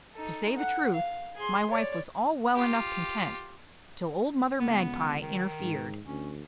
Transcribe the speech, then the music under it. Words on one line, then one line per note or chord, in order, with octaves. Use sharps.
To say the truth, my wife was all well enough content till old Mother Magpie interfered.
D#4 A4
F#5
F5
G#4 C6
C#5 D5
F4 G4
C#2 B3
D#3
G#2
D2 C#4